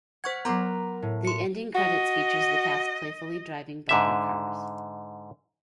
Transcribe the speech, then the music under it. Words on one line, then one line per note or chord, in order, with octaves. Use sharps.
The ending credits features the cast playfully driving bumper cars.
C5 F#5 C#6 F6 G#6 B6
F#3 B3 A#4 B4 A#5 C6 D6
A2
C6 C#7
F#4 D#5
G#2 D3 E5